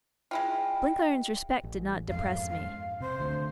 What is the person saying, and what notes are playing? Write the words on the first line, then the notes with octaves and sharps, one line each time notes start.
Blenkiron's respect did not depress me.
G#3 E4 F4 G5
A1
F2 G#2 F5
F5
C3 C5
D2 D3